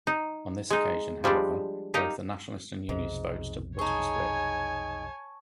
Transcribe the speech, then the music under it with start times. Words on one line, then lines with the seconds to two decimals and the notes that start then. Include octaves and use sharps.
On this occasion, however, both the nationalist and unionist votes were to be split.
0.07 D#4
0.70 G#3 D#4
1.24 F3 G3 G#3 D4
1.94 D#4 G4 A#4 D#5 F5
2.89 B1 F2 G#2 C3
3.79 D#4 G#4 C#5 G#5 A5 C#6